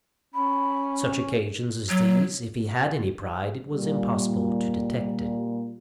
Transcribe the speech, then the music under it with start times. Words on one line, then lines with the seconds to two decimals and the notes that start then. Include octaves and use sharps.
On such occasions as these, if he had any pride, it was impossible to detect it.
0.34 C#4 B5
1.90 F#3
3.73 A#2 G3